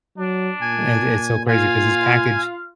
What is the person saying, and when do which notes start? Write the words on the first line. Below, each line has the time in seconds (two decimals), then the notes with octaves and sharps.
I'd it's so crazy 'cause his package,
0.18 F#3 D4
0.61 A#2 G#5
1.48 F4 F5 G#5